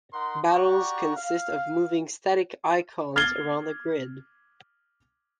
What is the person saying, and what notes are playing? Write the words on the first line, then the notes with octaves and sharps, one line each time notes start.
Battles consist of moving static icons around a grid.
D#4 A#4 F#5 C6
F#4 G4 D5 F#5 A#5 C#6
F5
F6 G#6 A6 C7 G7